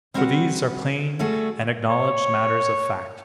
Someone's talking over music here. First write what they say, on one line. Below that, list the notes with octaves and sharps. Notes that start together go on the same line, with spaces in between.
For these are plain and acknowledged matters of fact.
G3 C4 F#4 A#4 B4 F#5
G3 A3 F#4 G#4 A4
C#5